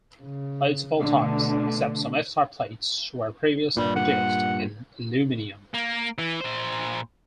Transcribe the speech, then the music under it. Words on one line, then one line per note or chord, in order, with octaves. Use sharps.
Plates of all types, except some F-type plates, were previously produced in aluminium.
C#3
B2 D3 A3
G2 A#2 G3
F#5
A#3
E3
A#2 C5